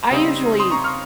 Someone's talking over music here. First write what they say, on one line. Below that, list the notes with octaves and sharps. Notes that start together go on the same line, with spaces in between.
I usually
C#3 G3 C4 D#4
C6 D#6
A#5 C#6
C#6 F6